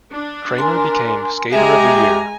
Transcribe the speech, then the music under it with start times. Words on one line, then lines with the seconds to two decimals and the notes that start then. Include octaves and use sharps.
Kramer became Skater of the year.
0.12 D4
0.58 A#4 G#5 C6
1.53 G#3 G4 G#4 E5 G#5 A#5